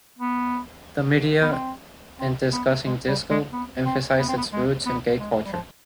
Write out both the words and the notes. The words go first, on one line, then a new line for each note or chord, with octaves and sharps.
The media, in discussing disco, emphasized its roots in gay culture.
B3
B3
C4
C4
B3
G#3
G3
G#3
B3
C4
B3
C4
B3
G#3
B3
G#3
G3
F3